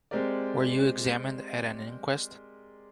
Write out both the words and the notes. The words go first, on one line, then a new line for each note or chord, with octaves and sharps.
Were you examined at an inquest?
G#3 C4 G4 A#4 D5